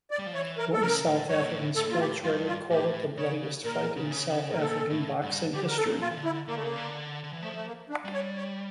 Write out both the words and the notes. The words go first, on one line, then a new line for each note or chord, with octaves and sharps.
One South African sportswriter called it "the bloodiest fight in South African boxing history".
D5
G3
F3
E3 C#5
A#4
A4
C#3 A#4
A2
G2 C#5
A#2
A2
A2 A4
A#2 F4
A2 G4
G2 F4
F4
A2 G4
C#3 C#5
A#2 A#4
C#3
A#2
C#3
C#3
A2 A#4
A#2 A4
A2
G2
D3 G4
A#4
A4
A#2
F4
E3
D3
E4
D3 A#3
A3
C#3 A#3
D3
D3
E3
F3 A3
A3
A#3
D4
G3
C#5
C#5